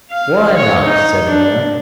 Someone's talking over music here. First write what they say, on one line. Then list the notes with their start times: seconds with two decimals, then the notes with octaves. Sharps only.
'Why not?' said the Miller.
0.11 F5
0.57 C#5
0.85 D#4
1.26 D4